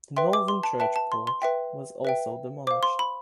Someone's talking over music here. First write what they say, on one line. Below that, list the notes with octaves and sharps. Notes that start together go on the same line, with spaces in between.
The northern church porch was also demolished.
B4 E5 G5 C6
D6
C6
A5
B4 E5 G5 A5
A5
C6
C6
B4 E5 G5
B4 E5 G5
C5 F5 D6
C6
B5